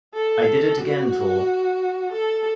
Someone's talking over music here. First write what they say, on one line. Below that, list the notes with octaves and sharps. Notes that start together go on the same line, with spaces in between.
I Did It Again Tour.
A4
F#4
A4